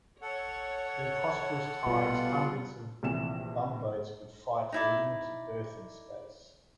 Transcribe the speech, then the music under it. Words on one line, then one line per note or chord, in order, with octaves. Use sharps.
In prosperous times, hundreds of bumboats would fight for limited berthing space.
A4 C#5 F#5
B2 G3 F4
A#1 C3 E3 E7
D#4 E4 D5